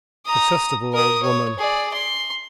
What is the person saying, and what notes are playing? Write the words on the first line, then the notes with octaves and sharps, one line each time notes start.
Detestable old woman!
A#5 D#6
A#4 D#6
C#5
G#4 D5
C6